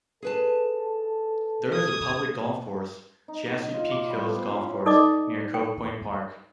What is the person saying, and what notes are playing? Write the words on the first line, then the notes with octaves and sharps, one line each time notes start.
There is a public golf course, Chesapeake Hills Golf Course, near Cove Point Park.
G#4 A4 B4 A5
D#6 G#6
D#4
D#5
D#5
F4
D6
G3
B3
C5
C#4
E4
D#4 A4 D5 D#5 D6
G5